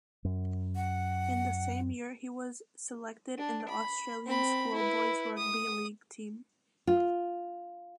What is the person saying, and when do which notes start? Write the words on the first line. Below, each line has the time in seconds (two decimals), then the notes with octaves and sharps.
In the same year he was selected in the Australian Schoolboys rugby league team.
0.25 F#2
0.76 F#5
3.37 D4
3.68 B5
4.26 C4 B5
4.73 E4 B4
5.37 D#6
6.87 F4